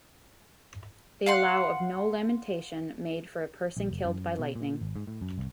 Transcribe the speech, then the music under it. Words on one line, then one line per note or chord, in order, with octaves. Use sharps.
They allow of no lamentation made for a person killed by lightning.
F5 F#5 C6
A#1
F#1
F#2
B2
A#2
G#1
G#2
A2
F#2
C2